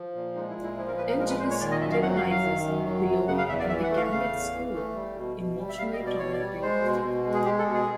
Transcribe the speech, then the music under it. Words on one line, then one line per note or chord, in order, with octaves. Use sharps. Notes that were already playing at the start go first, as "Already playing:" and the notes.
Angelus terrorizes Willow and the Gang at school, emotionally tormenting Buffy.
Already playing: F3
A#2
G#3 D#4
E4
A#2
E4
F3 E4
A#4
A#2 B4
A#4
G#3 A#4
B4
A#2 C5
C#5
D#3 D5
D#5
F#2 E5
F5
F#3 F#5
F5
F#2
F5
D#3
F#2
F#3
F#2
C#3 F#5
F5
E2 E5
D5
E3 E5
F#5
A3
F5
C#3 F5
E2
E3
A3
G3
B2
B2
G3
E5
G3 F5
D#5
B2
D5
B2 C#5
D5
G3
G#3 C5
B2
B2
G#3
G#4
G#3 G4
A4
B2
G#4